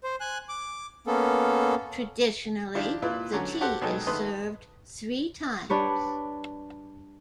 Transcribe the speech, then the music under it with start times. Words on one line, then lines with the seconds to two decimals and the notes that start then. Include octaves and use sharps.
Traditionally, the tea is served three times.
0.03 C5
0.20 G#5 F#6
0.49 D6
1.07 A#3 B3 C#4 A4
2.75 D#3 F3 D4 E4 F4 G4
3.02 A#2 E4 F4 B4
3.33 D3 F#3 C#4 A#5
3.61 F#4 G4 A4 C5 F#5
3.81 B2 F#3 G#3 D#4 A4 G5
4.07 D#3 A3 B3 B4 C6 D#6
5.70 G3 D4 B4 C#5